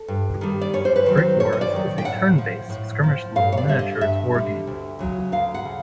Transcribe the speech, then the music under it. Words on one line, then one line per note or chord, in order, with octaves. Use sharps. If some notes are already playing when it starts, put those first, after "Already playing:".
"BrikWars" is a turn-based skirmish-level miniatures wargame.
Already playing: A4
G2
D#3 G3
D5
F#2 C#5
C5
B4
D#3 F#3
C5
F#2 C#5
D#5
D5
D#3 F#3
G5
A2 F#5
F3
A2
F3
G2 F5
C#5
D5
D3 G3 E5
D#5
G2 E5
D3 G3
D2
C#3 F#3
D2 F5
F#5
C#3